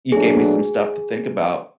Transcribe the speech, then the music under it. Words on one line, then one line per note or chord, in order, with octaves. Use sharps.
You gave me some stuff to think about.
B2 F#3 A3 D4 F#4 G#4